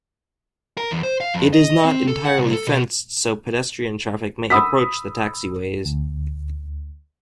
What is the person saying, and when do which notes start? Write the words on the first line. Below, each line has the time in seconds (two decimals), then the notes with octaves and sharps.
It is not entirely fenced so pedestrian traffic may approach the taxiways.
0.78 A#4
0.91 E2
1.03 C5
1.20 F5
1.34 F2
1.53 D#5
1.85 C4
2.08 A4
2.25 F#5
2.39 C2
2.53 A4
2.67 B2
4.50 B5 D#6 E6 B6
5.85 D2